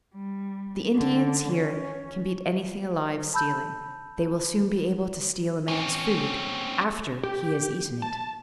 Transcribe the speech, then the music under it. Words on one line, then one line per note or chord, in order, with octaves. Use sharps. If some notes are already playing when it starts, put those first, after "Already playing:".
The Indians here can beat anything alive stealing. They will soon be able to steal a man's food after he has eaten it.
G3
D3
C#4
A5 B5 E6 G6
C4 C#4
G4
A5